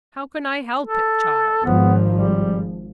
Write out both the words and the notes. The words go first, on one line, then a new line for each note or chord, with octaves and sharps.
How can I help it, child?
A4
G#1 F3 B3
G3